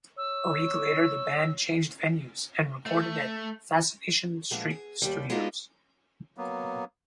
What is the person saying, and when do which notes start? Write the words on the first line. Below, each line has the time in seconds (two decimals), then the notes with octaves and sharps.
A week later the band changed venues and recorded at Fascination Street Studios.
0.18 C#5 E6
2.86 A3
4.51 A#2 F3 G#3 A3 B3 D4
4.70 G#4
5.02 D#2 G3
5.30 G#3 B3 D4 D#4 F4 F#4
6.37 F#3 A#3 B3